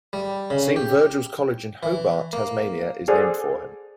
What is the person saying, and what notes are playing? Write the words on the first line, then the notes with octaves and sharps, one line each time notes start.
Saint Virgil's College in Hobart, Tasmania is named for him.
G3
C#3
G4
E3
A#3
G#4 A4 C5 D5 F#5